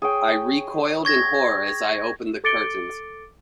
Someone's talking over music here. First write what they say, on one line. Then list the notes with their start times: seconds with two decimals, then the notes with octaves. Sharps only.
I recoiled in horror as I opened the curtains.
0.02 G#4 C#5 G5
1.05 C#6 G#6 A#6
2.44 A4 D6 A6 C#7 D7 G7